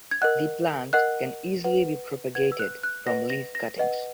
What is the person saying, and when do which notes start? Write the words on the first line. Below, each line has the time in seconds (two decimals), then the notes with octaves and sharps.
The plant can be easily propagated from leaf cuttings.
0.11 G#6
0.22 A#4 D#5 F#5 F#6
0.93 A#4 D#5 F#5 F#6
1.64 B4 F#5
2.35 B4 F#5 G#6
2.52 E6
2.59 F#6
2.83 F#6
3.07 B4 D#5 F#5 A#6
3.30 A#6
3.55 A#6
3.78 B4 D#5 F#5